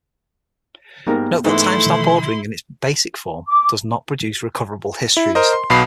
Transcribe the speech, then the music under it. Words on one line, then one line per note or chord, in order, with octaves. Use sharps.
Note that timestamp ordering in its basic form does not produce recoverable histories.
G#2 G3 A#3 B3 A#4
G#2 E3 A3 E4 C6
B2 D#3 F3
D6
E4
A#4 C5 D#5
C6
B1 B2 B5 C7